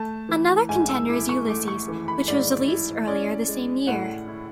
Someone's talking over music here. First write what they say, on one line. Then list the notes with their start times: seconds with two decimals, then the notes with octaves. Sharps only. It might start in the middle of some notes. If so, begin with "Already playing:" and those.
Another contender is "Ulysses", which was released earlier the same year.
Already playing: A3 A5
0.29 E3
0.69 G#2 G#5
0.89 E6
1.09 E4 D6
1.29 C#6
1.48 A3 D6
1.68 C#6
1.88 E3
2.08 B5
2.28 G#2 D5
2.68 E4
3.08 C#4 D5
3.48 G#3
3.87 A2 F#5
4.28 E4